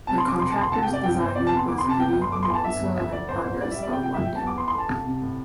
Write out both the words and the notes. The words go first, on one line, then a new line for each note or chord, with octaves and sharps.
The contractor's designer was G Maunsell and Partners of London.
C3 A5
C6
C3 D6
E1 C6
A5
D2
C6
C2 A5
G5
C3
D5
G2 G5
G5
G1
C5
C3 D5
A5
E2 C6
D2 D6
C6
C3
A5
G1 G5
G5
G1
C6
A3 D6
C6
E2
A5
G2 E5
G1
D2 E5
D2 D5
A1 C5
A1 C5
G3 D5
E5
G3
D5
C3 G5
G5
C2
E5
G3 G5
A5
E2
D6
E3 C6
C6
A3 A5
C2
C3
A2